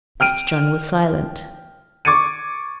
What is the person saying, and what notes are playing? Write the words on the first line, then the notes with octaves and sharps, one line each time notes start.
Mr. John was silent.
G5 F6 D7 D#7
C#6 D6 G#6 A6 C#7 D#7